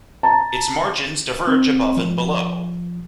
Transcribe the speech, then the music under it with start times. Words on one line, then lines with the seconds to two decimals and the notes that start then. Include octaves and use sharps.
Its margins diverge above and below.
0.23 A5 A#5
1.47 C4
1.97 F3